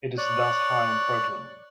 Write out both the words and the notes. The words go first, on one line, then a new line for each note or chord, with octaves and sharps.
It is thus high in protein.
C#5 D5 F#6